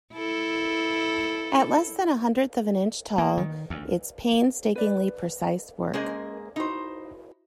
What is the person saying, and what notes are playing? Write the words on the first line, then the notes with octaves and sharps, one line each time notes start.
At less than a hundredth of an inch tall, it's painstakingly precise work.
E4 A4
A#3
D#3
D2
B4 D5
G#3 A#3 C#4 G#4 C5 D#5
D#4 E4 F#4 C5